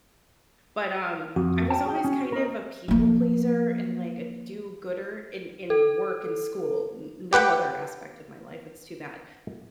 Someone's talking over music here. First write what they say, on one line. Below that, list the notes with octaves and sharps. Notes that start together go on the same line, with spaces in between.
But, um, I was always kind of a people pleaser, and, like, a do-gooder in in work and school. N no other aspect of my life, it's too bad.
F2 F#4
G5 A5
G#4 G5
C#4
A#4 D#5
F3 A#3
A4
G4 B4 F#5 G5